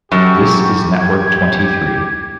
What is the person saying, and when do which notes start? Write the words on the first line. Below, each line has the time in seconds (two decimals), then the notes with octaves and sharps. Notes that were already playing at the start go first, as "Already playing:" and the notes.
This is network twenty three.
0.12 F#2 E3 F#3 A3 G4 C#6
1.00 G4 G#6